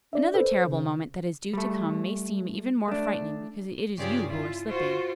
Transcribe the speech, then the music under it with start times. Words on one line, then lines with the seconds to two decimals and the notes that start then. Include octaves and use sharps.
Another terrible moment that is due to come may seem even more frightening because it is you who are slipping.
0.13 D4 D5 E5
0.34 A4 B4 C5
0.67 C#3
1.53 G3 A3
2.88 A3 D4
3.97 G2 C#3 F4 G4 G#4 D5
4.26 E4 F4
4.67 F4 F#4 C5